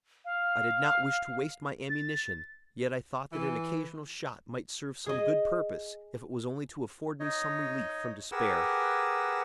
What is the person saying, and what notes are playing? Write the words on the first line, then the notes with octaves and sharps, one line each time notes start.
I did not wish to waste my ammunition, yet I thought that an occasional shot might serve some good purpose, if it was only to afford me some relief from despair.
F5
A6
E3
G#4 D#5
D#4 C#5 D#5
G4 G#4 A#4 B4 F#5 E6